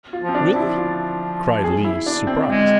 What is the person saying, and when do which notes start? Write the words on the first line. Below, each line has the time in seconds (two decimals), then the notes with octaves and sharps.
"Really?" cried Lise, surprised.
0.13 F4
0.20 F3
0.29 C4
0.35 D4
0.49 F3
0.56 E4
0.77 F4
1.64 G#4
1.84 E4
2.06 D4
2.27 C4
2.49 G#3 C4